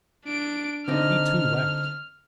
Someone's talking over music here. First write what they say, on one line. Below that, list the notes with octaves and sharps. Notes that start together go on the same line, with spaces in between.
He, too, laughed.
D4 D7
D3 C4 D#4 F6